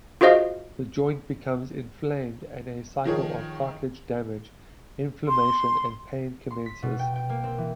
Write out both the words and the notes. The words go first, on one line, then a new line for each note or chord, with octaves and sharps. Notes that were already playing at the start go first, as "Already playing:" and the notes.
The joint becomes inflamed and a cycle of cartilage damage, inflammation and pain commences.
F4 F#4 G#4 C5 D#5 F5
D#3 F3 G#4 A#4 C#5
C6
C6
B6
B2
G5
G5
A#3
C4
E3